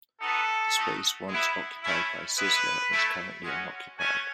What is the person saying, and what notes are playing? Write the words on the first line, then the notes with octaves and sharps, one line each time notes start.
The space once occupied by Sizzler is currently unoccupied.
B3 D#4 F#4 A4
A3 D#4 F#4
G#3 B3 E4
A3 C#4 E4
G#3 B3 E4 B4
A3 E4
G#3 C#4 F#4
A3 C#4 F#4 G#5